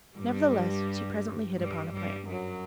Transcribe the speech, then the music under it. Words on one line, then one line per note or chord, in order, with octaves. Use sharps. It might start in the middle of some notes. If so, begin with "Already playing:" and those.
Nevertheless she presently hit upon a plan.
G2 G3
G2 G3
G2 G3
F#2 F#3